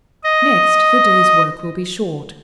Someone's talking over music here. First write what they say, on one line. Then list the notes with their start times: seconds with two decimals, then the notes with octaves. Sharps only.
Next, the day's work will be short.
0.24 D#5